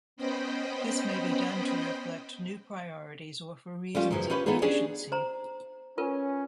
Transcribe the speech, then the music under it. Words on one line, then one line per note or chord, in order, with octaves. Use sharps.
This may be done to reflect new priorities or for reasons of efficiency.
B3 C#4 C5 D#5 G5 B5
G3 A3 C#4 F4
F#2 C#3 E3 F3
C#4 F4 G4 B4 C#5
E3 A3 B3 D#4 F4 G#4
C#4 D4 G4 G#4 C#5 D5
C5 A#5
C#4 F4 A#4 B4